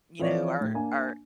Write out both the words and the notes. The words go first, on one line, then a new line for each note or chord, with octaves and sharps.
you know, our our,
E3 F3 C4 C#5 D5
A2
A#3 D4 G#5